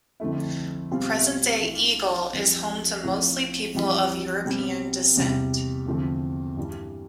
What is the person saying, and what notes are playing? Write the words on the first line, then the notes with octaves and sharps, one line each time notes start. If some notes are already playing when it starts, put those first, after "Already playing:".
Present-day Eagle is home to mostly people of European descent.
F2 D3 A3 E4
B2 G3 C4 F4
E3 A3 D4 F4
F2 E3 G3
A2 F3 C4 F4
F2 E3 G3
B2 G3 C4
E2 C3 G3
E2 D3 F3 A3 C4
G2 E3 G3 D4